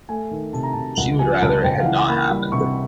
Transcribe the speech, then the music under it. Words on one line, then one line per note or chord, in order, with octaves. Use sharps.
She would rather it had not happened.
A3 G#5
D#3
C3 A5
A#5
C3 A5
C#2 F#5
F3 G#5
C#2 A5
C#2 G5
F5
E3 F#5
A#3 B5
G3
C3 C#6